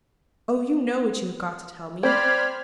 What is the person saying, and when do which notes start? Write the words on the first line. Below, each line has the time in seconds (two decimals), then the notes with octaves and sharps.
Oh, you know what you have got to tell me!
2.03 C4 C5 D5 B5 F6 G#6